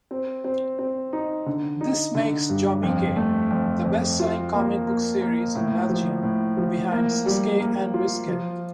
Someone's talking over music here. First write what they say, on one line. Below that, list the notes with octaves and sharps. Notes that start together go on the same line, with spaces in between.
This makes Jommeke the best-selling comic book series in Belgium behind Suske en Wiske.
C4
C4
C4
D#4
D3
D#4
D3
G2
F2
A3
F2
F2
F4
A#3
A#3
A#3
A2
F3
A2
F3
A#3
G3
A#3
F4
F3